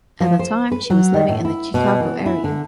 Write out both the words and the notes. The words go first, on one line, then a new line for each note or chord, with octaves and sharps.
At the time, she was living in the Chicago area.
F3
C5
B4
F#3
D#3
A2
E4
B2
E3
E4
D3